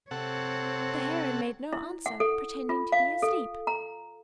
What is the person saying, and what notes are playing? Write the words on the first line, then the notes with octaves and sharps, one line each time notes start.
But the Heron made no answer, pretending to be asleep.
C3 C4 A4 C#5 F#5
E4
F#5
A4
F4
F5
A4
A#5